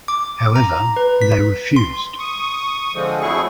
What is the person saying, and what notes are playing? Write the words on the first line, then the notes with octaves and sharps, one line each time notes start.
However, they refused.
D6
A#5
B4
B6
C6
C#6 D#6
D3 F3 G#3 C4
F2 F#3 A3 E4 G#4 C#6